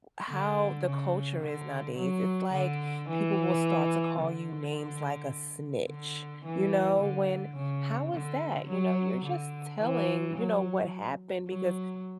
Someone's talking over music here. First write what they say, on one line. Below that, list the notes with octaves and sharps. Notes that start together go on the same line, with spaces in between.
how the culture is nowadays. It's like people will start to call you names like a snitch, you know? When how is that? You know, you're just telling, you know, what happened because
D3
C#3
D3
F#3
D3
E3
D3
D3
E3
D3
C#3
D3
F#3
D3
E3
F#3
F#3